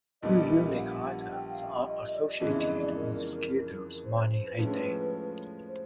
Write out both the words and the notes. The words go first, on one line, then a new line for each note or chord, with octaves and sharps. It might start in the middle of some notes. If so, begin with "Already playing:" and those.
Two unique items are associated with Skidoo's mining heyday.
A#1 A#2 G3 B3 D#5
E5
F5
F#5
G5
F5
E5
D#5
D5
F2 C#3 E3 G#3 B3 D#5
E5
D#5
D5
A#4
C5
C5
B4
A2 F3 G#3 C#4
C5